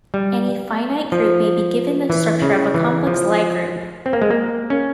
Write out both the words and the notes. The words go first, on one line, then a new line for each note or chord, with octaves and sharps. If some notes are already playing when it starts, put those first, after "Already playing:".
Any finite group may be given the structure of a complex Lie group.
G3
F3
E3
C#3
E3
F3
C4
A#3
G#3
A#3
C#4